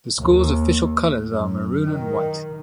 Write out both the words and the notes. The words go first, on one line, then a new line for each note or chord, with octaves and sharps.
The school's official colors are maroon and white.
D#2
F#2
D#3